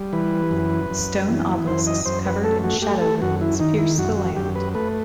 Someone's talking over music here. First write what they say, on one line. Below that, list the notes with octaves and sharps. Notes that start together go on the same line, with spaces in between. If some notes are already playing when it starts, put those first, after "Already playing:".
Stone obelisks covered in Shadow Runes pierce the land.
Already playing: G3
E3 B4
F#2
F#2
E3
F#2 C5
D#5
F#2 C5
B4
A3 A4
F#4
A3 G4
A4
F#2 F#4
E4
D#3 D#4
E4
F#2 F#4
F#4
F#2 G4
B4
A3 B4